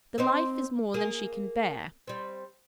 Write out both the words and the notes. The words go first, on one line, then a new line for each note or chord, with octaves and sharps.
The life is more than she can bear.
C4 D#4 C5
A#3 G#4
G3 C4